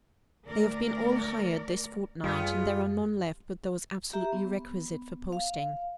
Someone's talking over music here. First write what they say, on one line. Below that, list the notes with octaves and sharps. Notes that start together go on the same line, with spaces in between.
"They have been all hired this fortnight, and there are none left but those absolutely requisite for posting."
D2 A#4 D5
F#2 G3 G#3 B3 F4
G4 E5 A#5
B3
F5